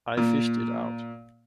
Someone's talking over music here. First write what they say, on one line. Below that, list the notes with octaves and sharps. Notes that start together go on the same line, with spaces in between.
I fished it out.
A#2